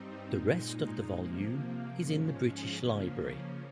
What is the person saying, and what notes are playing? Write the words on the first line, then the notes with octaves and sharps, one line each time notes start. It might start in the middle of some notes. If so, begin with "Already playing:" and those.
The rest of the volume is in the British Library.
Already playing: G2 G3 C4 D#4
A#2 G#3 D#4
C3 F3 A#3
G#2 F3 G#3 C#4
C#3 F3 A#3 C#4